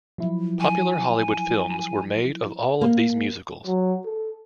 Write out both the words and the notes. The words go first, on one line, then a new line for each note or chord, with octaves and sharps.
Popular Hollywood films were made of all of these musicals.
F3 F#3 E4
G#5
A#3
F#3
A4